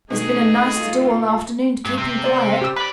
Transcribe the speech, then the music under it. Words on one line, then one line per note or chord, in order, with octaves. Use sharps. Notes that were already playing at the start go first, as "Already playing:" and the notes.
There's been a nice to do all afternoon to keep him quiet.
B2 D#3 A3 D4 D#4 G#4
F4 A4
G2
C3
C5 D5
G4 E6
B4 D5 B5